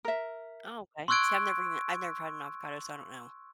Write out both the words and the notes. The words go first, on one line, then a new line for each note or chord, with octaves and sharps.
Oh, okay, see, I've never even I've never had an avocado, so I don't know.
A#4 E5
C6 C#6 E6 F#6 G#6 D7